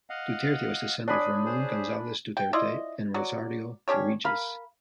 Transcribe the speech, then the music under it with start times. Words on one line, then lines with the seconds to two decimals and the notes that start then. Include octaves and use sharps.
Duterte was the son of Ramon Gonzales Duterte and Rosario Regis.
0.10 D#5 F5 F#5
1.08 D4 C#5 G#5 B5 D#6
1.46 G#4 C5
2.37 G5
2.53 E4 F4 D5 D#5
3.14 F#3 F#4 D5
3.88 C#4 D4 G4 C#5
4.24 A#4 F5 B5